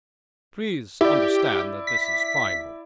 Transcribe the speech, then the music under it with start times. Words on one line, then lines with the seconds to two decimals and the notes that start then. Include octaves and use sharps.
Please understand that this is final.
1.01 E4 G4 D5
1.87 B6